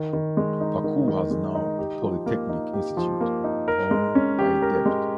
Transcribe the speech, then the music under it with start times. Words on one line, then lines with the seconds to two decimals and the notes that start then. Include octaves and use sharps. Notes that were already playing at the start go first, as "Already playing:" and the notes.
Pakur has now Polytechnic Institute -Owned by Deptt.
Already playing: D#3
0.13 D#3
0.37 G#3
0.61 D#4
0.84 D#3
1.08 D#3
1.31 G#3
1.55 D#4
1.78 G4
2.02 F3
2.26 A#3
2.49 D#4
2.73 G4
2.97 F3
3.21 A#3
3.44 D#4
3.68 A#4
3.91 G#3
4.15 C#4
4.39 G4
4.62 A#4
4.86 G#3